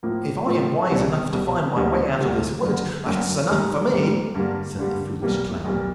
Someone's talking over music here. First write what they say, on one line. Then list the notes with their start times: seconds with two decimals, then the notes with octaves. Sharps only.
"If I am wise enough to find my way out of this wood, that's enough for me," said the foolish clown.
0.03 A2 F3 A#3
0.46 A2 F3 A#3
0.89 C2 B2 G3
1.32 C2 B2 G3
1.76 D2 D3 G3 A#3
2.20 D2 D3 G3 A#3
2.62 G1 F#2 D3 F#3 A#3
3.05 G1 F#2 D3 F#3 A#3
3.49 G#2 D#3 G3 A#3
3.92 G#2 D#3 G3 A#3
4.35 G2 D3 G3 A#3
4.78 G2 D3 G3 A#3
5.22 B1 B2 G3 A#3
5.64 B1 B2 G3 A#3